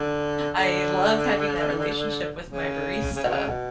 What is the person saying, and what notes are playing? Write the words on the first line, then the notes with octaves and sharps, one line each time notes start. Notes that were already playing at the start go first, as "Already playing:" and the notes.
I love having that relationship with my barista,
Already playing: D3
D3
C#3
C#3
B2
C#3
B2